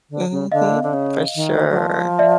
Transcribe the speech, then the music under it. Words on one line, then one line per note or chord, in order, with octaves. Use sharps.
Mhm. For sure.
D3
C#3
D3 D#5 F5
D3
C#3
D#3
F#3
F3
D5 E5